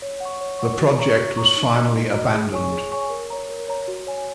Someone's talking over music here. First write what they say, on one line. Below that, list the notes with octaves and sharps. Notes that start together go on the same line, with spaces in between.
The project was finally abandoned.
C#5
F#5
C#6
C#5
F#5 C#6
F#4
C#5 A#5 C#6
F#4
C#5 A#5 C#6
D#4
F#4 D#5 A#5
D#4
F#4 D#5 A#5
G#4
C#5 G#5 C#6
G#4
C#5 G#5 C#6
A#4
C#5 A#5
A#4
C#5 A#5
F#4
C#5 G#5